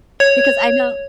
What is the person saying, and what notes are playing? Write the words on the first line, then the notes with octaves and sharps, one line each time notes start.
because I know
C#5